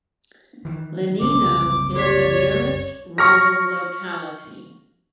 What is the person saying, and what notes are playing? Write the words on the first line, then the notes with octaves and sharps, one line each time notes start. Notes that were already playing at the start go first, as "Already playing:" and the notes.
Lenino is the nearest rural locality.
D#3 E3
F#1 C2 C3 D6
G4 C#5 D5 D6 B6
C#6 F6 A#6